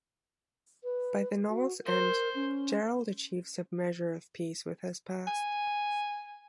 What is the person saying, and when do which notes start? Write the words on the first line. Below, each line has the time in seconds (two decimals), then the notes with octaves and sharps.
By the novel's end, Gerald achieves a measure of peace with his past.
0.84 B4
1.49 F#4
1.86 A#4 C5
2.35 C#4
5.27 G#5